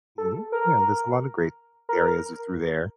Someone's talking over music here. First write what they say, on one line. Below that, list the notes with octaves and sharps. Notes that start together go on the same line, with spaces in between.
Mhm. Yeah, there's a lot of great areas i through there.
A4
A#4
A#4